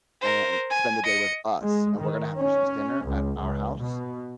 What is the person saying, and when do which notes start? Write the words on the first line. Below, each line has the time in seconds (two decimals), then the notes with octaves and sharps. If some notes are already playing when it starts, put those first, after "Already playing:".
and spend the day with us, and we're gonna have Christmas dinner at our house.
0.21 A#4 C5
0.70 G#5
1.04 D#5 C#7
1.62 G#3
1.99 D#3
2.36 C#4
3.04 C#2
3.39 C#2
3.79 B2